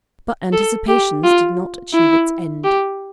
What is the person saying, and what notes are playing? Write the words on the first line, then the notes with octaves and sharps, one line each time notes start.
But Anticipations did not achieve its end.
A4
G4
F4
E4
G4